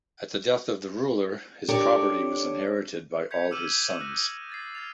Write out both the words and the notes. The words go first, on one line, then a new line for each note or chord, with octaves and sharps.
At the death of the ruler his property was inherited by all his sons.
D4 G4 A4 A#4 C#5 D5
G6 G#6 B6 C#7 F7
D6 E6 F6 D#7 E7 F#7
D#6 F#6 G6 A#6
F#7
G#6 A6 C7
F6 A6 F7